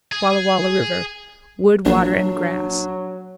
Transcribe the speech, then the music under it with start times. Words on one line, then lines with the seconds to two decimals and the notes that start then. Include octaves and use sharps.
Wallah Wallah River.--Wood, water, and grass.
0.12 G#4
1.85 A#1 F#3 D4